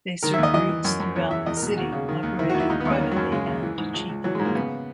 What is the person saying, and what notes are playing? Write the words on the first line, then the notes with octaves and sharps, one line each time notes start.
They serve routes throughout the city, operated privately and cheaply.
D#3 A#4
E5
D#2 D#5
E3 D#5
E3
F#2
F#2
E2 C#5
E3 E5
E2 D#5
A#4
B2 G#4
D#2 F#4
C#3
D#3
D#2
D#3 E4
F#4
D#2
E4
D#2 D#4
B3
D#2
C#4
D#3
F#3
F#2
C#3 G#3
D#2
E3
G#2
C#2
C#2
E3 F#3
G#3
G#2
A#3
C#3 B3